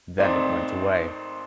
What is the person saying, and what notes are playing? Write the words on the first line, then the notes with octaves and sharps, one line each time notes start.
Then it went away.
G#1 A3 C4 D#4 D5